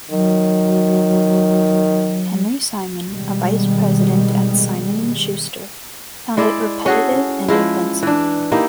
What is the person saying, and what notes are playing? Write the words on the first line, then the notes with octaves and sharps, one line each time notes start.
Henry Simon, a vice-president at Simon and Schuster, found it repetitive and offensive.
D#3 F#3
B2 D#3 G3 G#3
G#3 E4 D5
C#4 F#4 G#4 A4
F3 G#3 E4
E3 D4
A#3 D#4 E4 G4